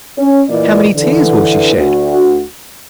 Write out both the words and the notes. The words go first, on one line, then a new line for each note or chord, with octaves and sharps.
How many tears will she shed?
C#4
A#2 E3 A#3 F4 D5 D#5
D3 E3
D2 F#4